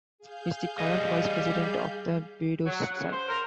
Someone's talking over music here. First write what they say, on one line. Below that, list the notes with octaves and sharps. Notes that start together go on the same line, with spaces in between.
He is the current Vice-President of the Boedo's side.
G#4 F5 G6
G3 D#5
F#3
F#5
C#3
C5
A#4